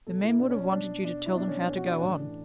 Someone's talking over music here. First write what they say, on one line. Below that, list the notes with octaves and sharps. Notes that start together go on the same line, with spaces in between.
The men would have wanted you to tell them how to go on.
B2 A4
E4
B2 D4
C#4
D4
B2 D4
B2 D4
E4
B2 D4
C#4
D4
B2 C#4
F#4
D4
C#4
A2 E3 D4